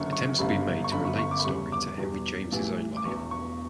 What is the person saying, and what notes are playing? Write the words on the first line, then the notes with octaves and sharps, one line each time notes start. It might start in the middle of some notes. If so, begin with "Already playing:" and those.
Attempts have been made to relate the story to Henry James' own life.
Already playing: F#1 F#2 D3 C#6
C#6
G1 F#2 C#3 G3 B5
C#6
G1 F#2 D3 B5
C#6
C#6
D6
B5
E2 C#3 G3 C#6
D6
E2 B2 G3
A1 A2 E3 G3
D6
E1 E2 B2 C#6
C#6